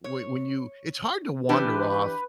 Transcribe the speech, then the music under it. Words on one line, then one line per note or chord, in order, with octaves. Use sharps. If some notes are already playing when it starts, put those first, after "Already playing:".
whe when you it's hard to wander off
C#5
E3 D4 G4 B4